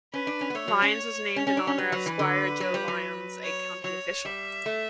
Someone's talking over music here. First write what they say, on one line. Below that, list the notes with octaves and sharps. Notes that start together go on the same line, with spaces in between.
Lyons was named in honor of Squire Joe Lyons, a county official.
C#4 B4
D4
C#4
B3
A3 C#5
F#3
C#4
C#4 C#5
C#4
D4
C#4
G3 B4
F#3
E3
D3
F#3
G3
F#3
C#5
F#3 C#5
G3 E5
A3